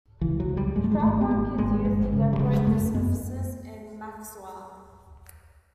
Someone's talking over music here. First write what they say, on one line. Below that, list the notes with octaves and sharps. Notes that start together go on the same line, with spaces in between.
Strapwork is used to decorate the surfaces in Mexuar.
C#2 E3
F#3
C#2
G3
G#1 G#3
A3
G#3
A3
G#1 G#3
B3
G#1 A#3
G#1 G#3
G1 G#3
C#3
G3
C#3 G#3
F#2 A3
F#2 B3